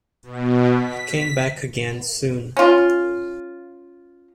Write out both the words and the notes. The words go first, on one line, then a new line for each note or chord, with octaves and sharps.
He came back again soon.
B2
B6
C#4 F4